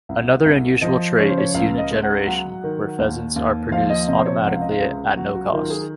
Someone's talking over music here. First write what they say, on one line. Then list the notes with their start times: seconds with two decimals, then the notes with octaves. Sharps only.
Another unusual trait is unit generation, where peasants are produced automatically at no cost.
0.09 C2
0.46 C2
0.81 F3 D#5
1.18 C#3 C#5
1.28 C5
1.38 C#5
1.54 C#2 F5
1.78 D#5
1.91 G#3
2.03 F#5
2.27 F#3 F#5
2.64 D#3
2.99 D#2
3.36 D#2
3.71 F3 F5
3.90 D#5
4.07 C3 D#5
4.17 C5
4.26 C#5
4.44 C#2 F#5
4.54 F5
4.61 D#5
4.71 F5
4.80 C#2 G#4
5.16 F#3 F#4
5.35 F#4
5.53 D#3 F4
5.70 G#4